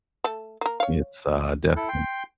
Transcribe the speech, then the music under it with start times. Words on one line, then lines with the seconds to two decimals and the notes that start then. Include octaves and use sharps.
it's, uh, definite
0.24 A3 A4
0.61 A#3 A#4
0.80 C#5 F5
1.76 E4 A4
1.88 G5 C6